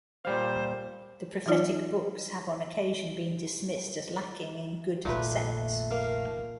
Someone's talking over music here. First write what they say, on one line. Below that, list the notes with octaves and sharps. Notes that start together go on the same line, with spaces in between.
The prophetic books have on occasion been dismissed as lacking in good sense.
A#2 G3 C5 F5
E3 F#3 D#4 F4 D5
F1 A#1 A#2 D#3 A3 B4
A#3 F5